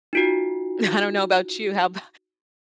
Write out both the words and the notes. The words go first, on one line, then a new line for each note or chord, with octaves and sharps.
I don't know about you, how about
D#4 F4 F#4